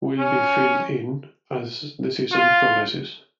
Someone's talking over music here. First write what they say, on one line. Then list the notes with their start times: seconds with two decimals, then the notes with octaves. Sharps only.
Will be filled in as the season progresses.
0.19 C#4
2.32 F4